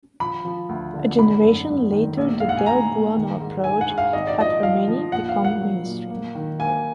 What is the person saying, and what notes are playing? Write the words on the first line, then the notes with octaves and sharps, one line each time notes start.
A generation later the del Buono approach had for many become mainstream.
F3 B5
F3
D2
D3
G#1 B5
F#2
G#1
D#3
A#1
G#2 F5
F#5
G#5
A#1 A#5
A#1
D#3
G#2
G#2 G#5
F#5
G#2
F5
G#1 D#5
D5
F3 D#5
F3 F5
F3
A#2 F#5
F5
A#3
F#5
F#3
A#2
A#3
D#3
A#3 G#5